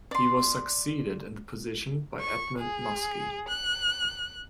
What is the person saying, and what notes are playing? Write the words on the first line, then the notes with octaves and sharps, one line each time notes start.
He was succeeded in the position by Edmund Muskie.
D5 C6
C#6
G#4
F#6